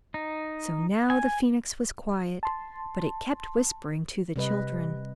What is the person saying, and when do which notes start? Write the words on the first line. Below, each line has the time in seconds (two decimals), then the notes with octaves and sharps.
So now the Phoenix was quiet, but it kept whispering to the children.
0.14 D#4
1.10 G#5
2.43 A5 C6
4.36 C3 G3 B4 D#5